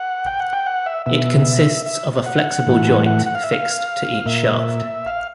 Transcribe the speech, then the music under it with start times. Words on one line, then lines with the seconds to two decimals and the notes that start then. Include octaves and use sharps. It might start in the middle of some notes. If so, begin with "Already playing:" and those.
It consists of a flexible joint fixed to each shaft.
Already playing: F#5
0.26 G5
0.40 F#5
0.53 G5
0.66 F#5
0.86 E5
1.06 B2 E5
1.86 E5
2.26 F#5
2.66 A2 E3
3.06 F#5
3.26 F#5
3.35 F5
3.44 E5
3.53 F5
4.26 A#2 E5
5.06 F5